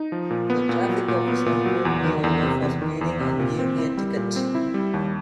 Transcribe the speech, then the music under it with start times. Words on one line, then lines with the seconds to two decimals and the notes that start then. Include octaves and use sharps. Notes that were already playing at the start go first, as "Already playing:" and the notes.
The traffic officer pulled me over for speeding and gave me a ticket.
Already playing: D#4
0.12 F3
0.30 A#2
0.50 B3
0.69 A#2
0.89 F#3
1.08 A#2
1.28 B3
1.46 A#2
1.65 F#3
1.85 E2
2.05 D#3
2.24 E2
2.43 C3
2.62 E2
2.82 D#3
3.01 E2
3.20 C3
3.40 A#2
3.59 C4
3.78 E4
3.97 G3
4.17 A#2
4.36 C4
4.55 E4
4.74 G3
4.94 D#2